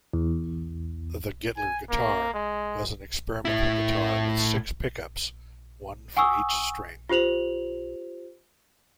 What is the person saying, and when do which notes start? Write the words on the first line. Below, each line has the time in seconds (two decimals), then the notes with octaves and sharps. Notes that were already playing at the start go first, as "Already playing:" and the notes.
The Gittler guitar was an experimental guitar with six pickups, one for each string.
0.13 E2
1.57 G#5
1.90 A#3
2.34 G#3
3.45 A2 E4
6.17 F#5 G#5 C#6 D#6 E6
7.09 F4 G4 C5 F7 F#7